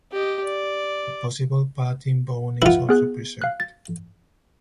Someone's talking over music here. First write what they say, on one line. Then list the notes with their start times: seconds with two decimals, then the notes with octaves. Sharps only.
A possible palatine bone is also preserved.
0.12 G4 D#5
0.44 D5
2.62 E4 F4 B4 F#5
2.89 B3 G#4 F#6
3.42 F5 F#6
3.60 A6